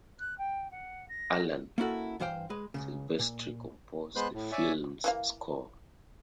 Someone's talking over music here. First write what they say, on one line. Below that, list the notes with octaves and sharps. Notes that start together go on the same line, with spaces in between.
Alan Silvestri composed the film's score.
F#6
G5
F#5
A#6
A#3 C#4 E4 F#4 A4
G2 E3 C5 F5 G5
G#3 B4
C#2 G#2 C#3
A#2
G#3 B3 B4 C5 C6 F#6
A2
C#5 D5 E5 G#5
E3 A#3 F5